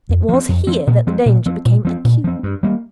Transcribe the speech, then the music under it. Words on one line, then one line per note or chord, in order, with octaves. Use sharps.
It was here that the danger became acute.
F2
F3 C4
F2
F3 C4
A#2
F3 C4
A#2
F3 C4
A#2
F3 C4
A#2
F3 C4
G2
G3 A#3